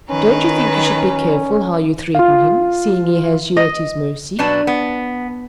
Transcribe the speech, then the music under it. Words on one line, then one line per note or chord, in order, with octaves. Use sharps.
"Don't you think you should be careful how you threaten him, seeing he has you at his mercy."
D#3 C#4 B4 A#5
F4 F5
D#5
B2 F#3 D4 B4 A5
B3